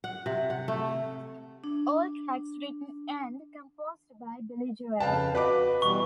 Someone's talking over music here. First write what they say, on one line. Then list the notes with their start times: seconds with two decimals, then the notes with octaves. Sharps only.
All tracks written and composed by Billy Joel.
0.04 F#5
0.26 C3
0.50 F#5
0.68 A3
1.64 D4
5.00 F2 C#3 B4 F5 G5 A5
5.35 F#4 B4 D#5 D6
5.82 B2 E3 G3 C#6